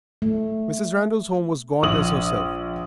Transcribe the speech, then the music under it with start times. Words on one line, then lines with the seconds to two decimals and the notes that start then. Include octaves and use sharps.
Mrs. Randal's home was gaunt as herself.
0.22 A3
1.83 A#1 D#6 F#7